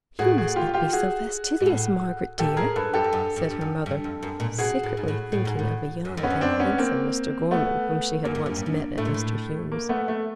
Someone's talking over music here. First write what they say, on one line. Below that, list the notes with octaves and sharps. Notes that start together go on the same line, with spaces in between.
'You must not be so fastidious, Margaret, dear!' said her mother, secretly thinking of a young and handsome Mr. Gorman whom she had once met at Mr. Hume's.
A2 F#4 G#4
F#4 G#4
F4 G4
F4 G4
F#4 G#4
G#2
A2
A#2 G4 A4
A2 G#4 A#4
G2 A4 B4
F#2 G4 A4
F2
F#2
G2
F#2
G2
F#2
G2
F2
F#2
A#2
B2 F#4 G#4
A2
G#2
A2
A2
G#2
A2
F#2
F2
B3 C#4
F#2
C4 D4
B3 C#4
A#3 C4
A3 B3
F#2 A#3
G2
F#2
G2
F#2
A2 A3
A#2
A2
A#3
A3 B3
A3